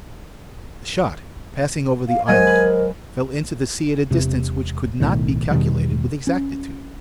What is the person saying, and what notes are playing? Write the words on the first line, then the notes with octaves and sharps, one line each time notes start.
The shot, passing over the islet, fell into the sea at a distance which could not be calculated with exactitude.
F5
F#3 G#3 A#4 C5 D#5 G#5 D#7
B4
E1 C3
B1 A2 D#3
E2 B2 D#3 G3
C#4